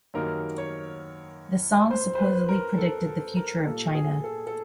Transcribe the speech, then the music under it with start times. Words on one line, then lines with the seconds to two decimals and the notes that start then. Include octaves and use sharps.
The song supposedly predicted the future of China.
0.14 F#2 D#3 G3 A#3 D#4 A#4
0.58 C#5
1.91 C5
2.15 C5
2.19 B4
2.49 A#4
2.78 A4
3.07 A4
3.37 A#4
3.66 A#2 G3 A#3 A4
3.95 G#4
4.24 A4
4.47 A4